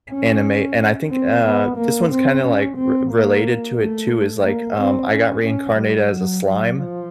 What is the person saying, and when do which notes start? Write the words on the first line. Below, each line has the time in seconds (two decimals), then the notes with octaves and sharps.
anime, and I think, uh, this one's kinda, like, r related to it, too is, like, um, I Got Reincarnated as a Slime.
0.11 C#4
1.10 C4
1.44 B3
1.77 A#3
2.11 C4
2.44 C#4
2.77 C4
3.11 A#3
3.76 A3
4.43 A#3
4.77 C4
5.10 C#4
5.43 C#4
5.76 G3
6.10 F#3
6.43 F#3
6.76 F3